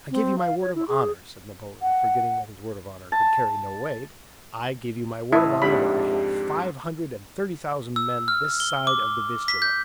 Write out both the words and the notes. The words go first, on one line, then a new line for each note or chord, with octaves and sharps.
I give you my word of honor," said Napoleon, forgetting that his word of honor could carry no weight--"I give you my word of honor that I have five hundred and thirty thousand men this side of the Vistula.
C4
F5
C#5
E4
G#4
F#5
A5
A1 E4 E5 A5 D#6
F2 G#2 D4 G4 B5
E6
F6
G7
D6
B6
G6